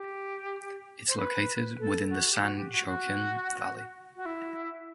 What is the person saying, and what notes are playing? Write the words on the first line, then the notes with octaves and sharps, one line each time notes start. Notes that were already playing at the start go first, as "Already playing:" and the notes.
It is located within the San Joaquin Valley.
Already playing: G4
C5
B4
A4
F#4
G4
F#4
G4
F#4
F#4
F#4
E4